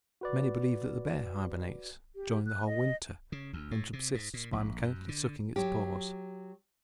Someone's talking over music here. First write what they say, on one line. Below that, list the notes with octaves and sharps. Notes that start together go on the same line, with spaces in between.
Many believe that the bear hibernates during the whole winter and subsists by mechanically sucking its paws.
F#4 B4 D5
G4
F#6
D#5
C#3
D2
A2
C3
G#2
A#2
A#1
F#2
D3
F#3 G4